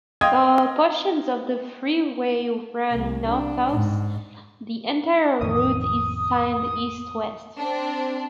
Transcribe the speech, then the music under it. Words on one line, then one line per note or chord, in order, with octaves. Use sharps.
Though portions of the freeway run north-south, the entire route is signed east-west.
D#5 F5 G5 C6 D#6 G#6
C2 A#3
D4
G#2
A1 F2 D#3 D#6
C4 D4